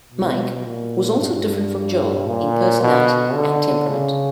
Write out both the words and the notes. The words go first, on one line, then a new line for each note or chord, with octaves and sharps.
Mike was also different from Joel in personality and temperament.
B2
A#2
G2
A#2
B2
D3
C#3